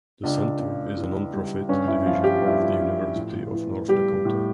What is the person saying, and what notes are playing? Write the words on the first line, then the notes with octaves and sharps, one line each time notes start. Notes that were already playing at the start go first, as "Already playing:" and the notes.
The center is a nonprofit division of the University of North Dakota.
C#2 D4
C#3
E3
G3
G2 C#4
E4
F3 F4
G4
F4
G2
E4
F4
F3
A2
E3
G3 G4
A2